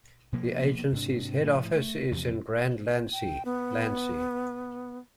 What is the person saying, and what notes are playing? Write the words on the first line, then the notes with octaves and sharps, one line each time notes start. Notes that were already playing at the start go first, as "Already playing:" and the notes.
The agency's head office is in Grand-Lancy, Lancy.
B2 F3 A#3 B3
G#2 C3 D4
A2 F3 A3
A3
E2 G2 C3 F3
G5
B3